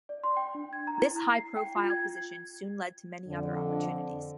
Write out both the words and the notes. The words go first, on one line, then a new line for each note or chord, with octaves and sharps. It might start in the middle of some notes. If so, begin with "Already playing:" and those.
This high-profile position soon led to many other opportunities.
D5
C6
G5
D4
G#6
A#5
E4
A#5
C7
G5
F4
G#6
F2 D3